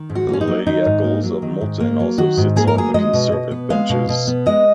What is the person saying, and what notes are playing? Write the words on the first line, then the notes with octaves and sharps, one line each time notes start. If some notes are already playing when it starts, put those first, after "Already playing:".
Lady Eccles of Moulton also sits on the Conservative benches.
Already playing: D#3
G#2
F#4
A#3 C#4
D#4
F#3
D#3 D#4
G#2
A#3
F#3
D#3
G#2
A#3
F#3
D#3 F#4
G#2
A#3 G#4
A#4
F#3 G#4
G#3 D#5
B2
B2
B3
G#3 F5
B2
B2
B3
G#3 D#5